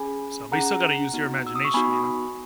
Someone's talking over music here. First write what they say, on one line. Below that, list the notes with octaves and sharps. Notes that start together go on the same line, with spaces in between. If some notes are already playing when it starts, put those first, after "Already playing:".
So but you still gotta use your imagination, you know?
Already playing: C#4 G#4 G#5 B5
C#4 G#4 F#5 A#5
B3 D#4 F#4
E6
D#6
C#6
B3 D#4 F#4 G#5 B5